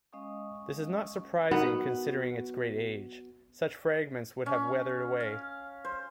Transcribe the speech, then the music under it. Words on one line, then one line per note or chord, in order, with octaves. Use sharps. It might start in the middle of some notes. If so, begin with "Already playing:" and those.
This is not surprising considering its great age; such fragments would have weathered away.
G#3 C#4 D#5 F5 C#6 D#6
B3 D#4 F#4 A#4
C#4
F5
C5